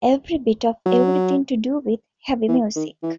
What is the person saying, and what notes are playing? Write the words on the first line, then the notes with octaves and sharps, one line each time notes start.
Every bit of everything to do with heavy music.
F#3
E3
D#3
E3